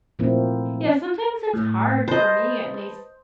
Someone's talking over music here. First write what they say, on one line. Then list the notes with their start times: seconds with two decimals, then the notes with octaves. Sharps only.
Yeah, sometimes it's hard, for me, at least,
0.19 A#2 F3 A3 A#3 C4 E4
1.54 A2
2.08 B4 C5 D#5 A5